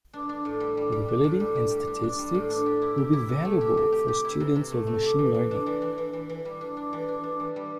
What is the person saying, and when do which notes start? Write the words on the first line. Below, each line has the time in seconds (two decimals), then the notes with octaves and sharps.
Probability and statistics will be valuable for students of machine learning.
0.13 D4
0.29 D4
0.45 A2
0.60 G3
0.77 G3
0.92 G3
1.08 D4
1.24 A2
1.40 G3
1.55 G3
1.71 G4
1.87 D4
2.04 D4
2.19 G3
2.34 A2
2.50 D4
2.66 G4
2.82 E4
2.98 G4
3.13 E4
3.29 C3
3.45 A3
3.61 G4
3.77 C3
3.92 G4
4.08 G4
4.25 E4
4.40 C3
4.56 C3
4.72 A3
4.87 A3
5.03 G4
5.19 E3
5.34 E3
5.51 D4
5.66 E3
5.82 E3
5.98 E3
6.13 E3
6.29 E3
6.45 G3
6.61 D4
6.77 D4
6.93 E3
7.09 D4
7.24 D4
7.40 E3
7.56 G3